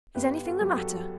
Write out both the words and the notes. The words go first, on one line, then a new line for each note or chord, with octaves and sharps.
Is anything the matter?'
G1 G4 B4
F#4 A4
F#2
G4
F#4 A4